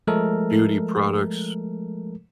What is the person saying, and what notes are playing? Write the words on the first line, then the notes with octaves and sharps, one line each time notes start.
beauty products,
F3 G#3 A3 A4 A#4